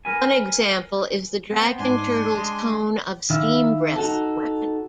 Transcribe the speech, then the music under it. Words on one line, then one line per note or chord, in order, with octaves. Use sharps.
One example is the dragon turtle's cone of steam breath weapon.
A#4 B4 G#5
B3 C4
G#2 D4 G#5 C6
G#3
D#3 E4 E5 F5
D#4 F#4 A4